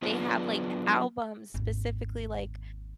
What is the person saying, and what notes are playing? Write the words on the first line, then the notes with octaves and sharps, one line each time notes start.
they have like a albums specifically like,
F#3 B3 D4 F4 G#4 B4
G#1 D#2